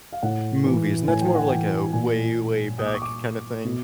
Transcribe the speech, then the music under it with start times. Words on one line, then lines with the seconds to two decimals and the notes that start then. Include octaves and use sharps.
movies, and that's more of like a way, way back kind of thing,
0.12 F5
0.23 A2 F#5
0.66 E3
1.08 A2 G#5
1.21 G5
1.35 F#5
1.48 E3 G5
1.93 A#2 G#5
2.78 A#2 D#6
2.86 D6
2.94 C#6
3.02 D6
3.65 B2